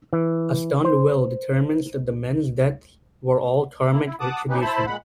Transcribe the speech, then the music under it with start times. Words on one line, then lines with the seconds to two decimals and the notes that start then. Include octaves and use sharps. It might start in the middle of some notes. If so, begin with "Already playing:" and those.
A stunned Will determines that the men's deaths were all karmic retribution.
0.13 E3
0.85 C5
3.92 A#3 E4
4.06 E4
4.20 F#5 A5 D6 D#6
4.49 C#4 D#4 G4 B4
4.61 E4 C5 A5 B5
4.86 A#2 G#3 F#5 B5